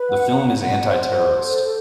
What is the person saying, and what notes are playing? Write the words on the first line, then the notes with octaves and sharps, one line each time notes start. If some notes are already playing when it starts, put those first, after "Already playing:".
The film is anti-terrorist.
Already playing: B4
F#5
F#5
C5
A4
A4